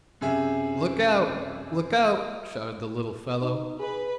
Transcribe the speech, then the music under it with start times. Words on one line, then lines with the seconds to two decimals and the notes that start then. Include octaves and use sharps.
"Look out! look out!" shouted the little fellow.
0.21 F#2 C3 G#4 E5
3.41 D#4
3.79 G#4 B4